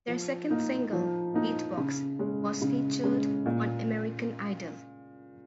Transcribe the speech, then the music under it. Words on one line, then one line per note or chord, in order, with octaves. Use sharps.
Their second single, "Beatbox", was featured on "American Idol".
F3
A#3 D#4
F3
A#3 D#4
C#3
G#3 C#4
C#3
G#3 C#4
A#2